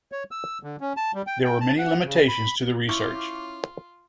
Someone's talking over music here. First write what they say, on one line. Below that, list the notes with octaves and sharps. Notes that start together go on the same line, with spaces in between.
There were many limitations to the research.
C#5
E6
D3
C#4
A5
G3
G5
G5
A5
F#5
C#3
B5
C#4 E4 F4 D6 G6